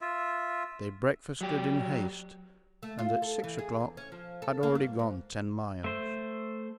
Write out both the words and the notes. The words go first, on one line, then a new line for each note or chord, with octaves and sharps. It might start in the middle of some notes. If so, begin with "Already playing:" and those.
They breakfasted in haste, and at six o'clock had already gone ten miles.
F4 E5
F#3 G4
A3
F4
A4
E3
G#4
E2
C#4
F3
A4
A#3
G2
G#2
A3 C5